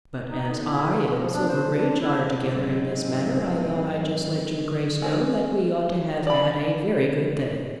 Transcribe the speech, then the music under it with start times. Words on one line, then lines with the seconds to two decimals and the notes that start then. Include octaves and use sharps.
But as I and Silverbridge are together in this matter I thought I'd just let your Grace know that we ought to have had a very good thing.
0.27 D#4
0.51 D3
0.64 E4
0.92 C#3
1.20 F3
1.33 D4
1.49 C5
1.71 D4
2.00 E4
2.51 G#2 F#3 G#3 C4
5.02 G#3 C4 G#4
6.27 D5 B5